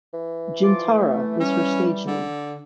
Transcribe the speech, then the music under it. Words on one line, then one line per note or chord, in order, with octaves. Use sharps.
Jintara is her stage name.
E3
F3 F4 D6
A3
G3 C#4
D3